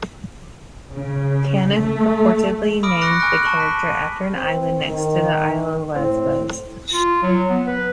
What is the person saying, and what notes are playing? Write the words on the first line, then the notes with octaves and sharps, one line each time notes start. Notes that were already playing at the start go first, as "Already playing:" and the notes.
Caniff purportedly named the character after an island next to the isle of Lesbos.
C#3
A3
B5 D6 D#6 F6 A#6 D7
C#6 D#6 F#6 A#6 C#7
G#5 C#6 F6 F#6 A#6 D7
A5 C#6 F#6 F#7
B6
D#7
C4
D#3
A2 C4
F4
F#3
B3
B4